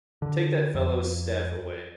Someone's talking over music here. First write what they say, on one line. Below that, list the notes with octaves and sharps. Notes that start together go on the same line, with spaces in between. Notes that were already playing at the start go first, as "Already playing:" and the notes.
Take that fellow’s staff away.
D3
F2